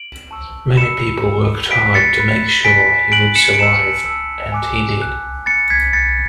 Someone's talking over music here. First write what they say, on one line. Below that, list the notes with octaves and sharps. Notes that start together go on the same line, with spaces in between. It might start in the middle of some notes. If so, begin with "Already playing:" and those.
Many people worked hard to make sure he would survive and he did.
Already playing: D7 F#7
A5 C#6 E6
B5 E6 C#7 E7
B5 E6
B5 F#6 B6 D7
A6 C#7
B5 F#6
G#5 B5 F#6 B6 D7
G#5 B5 F#6 D7 F#7
C#7 E7
D7
A5 E6 C#7 E7
A5 E6
G#5 D6 F#6
G#5 D6 F#6
B5 F#6 A6 C#7
G#6 B6
B5 F#6 A6 C#7